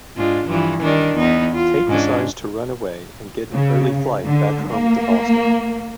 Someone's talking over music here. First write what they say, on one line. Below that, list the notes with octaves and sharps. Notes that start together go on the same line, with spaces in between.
Kate decides to run away and get an early flight back home to Boston.
G#2 D4 F4
G2 E3 F3
D#3 G3 D4
E2 B3 D#4
F4
G#2 C#4 D4
C#3
D3
A#3